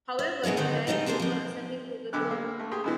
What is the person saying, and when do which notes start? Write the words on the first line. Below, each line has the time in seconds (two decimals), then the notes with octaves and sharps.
However, he died before ascending to the throne.
0.19 E5
0.44 B2 G#3 D#4 C#5 D#5
0.57 D3 D#3 B3 C4 D#4
0.87 G3 G#3 D#4 E4 D#5
1.06 C3 G#3 A#3 A4 C5
1.20 F3 C4
2.13 B1 D3 D6 F#6
2.31 A#3
2.59 A3
2.71 G4 G#4 C6
2.84 F#2 B2 E3